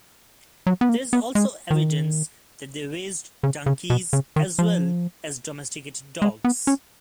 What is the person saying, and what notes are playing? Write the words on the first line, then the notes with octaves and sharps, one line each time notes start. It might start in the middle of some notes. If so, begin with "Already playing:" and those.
There is also evidence that they raised donkeys, as well as domesticated dogs.
F#3
B3
A#3
B3
G#3
D#3
C#3
C#3
B2
C#3
D#3
F3
G#3
B3
C#4